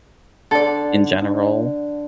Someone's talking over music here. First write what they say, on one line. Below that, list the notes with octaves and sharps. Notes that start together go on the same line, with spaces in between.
in general.
D3 A4 D5